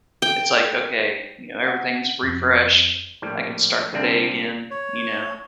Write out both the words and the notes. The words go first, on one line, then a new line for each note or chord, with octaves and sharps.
It's like, okay, you know, everything's refreshed, I can start the day again, you know?
G5
F#5
F2
A#1 A2 G3
C2 D3 G3 A#3 C4 D4
C#5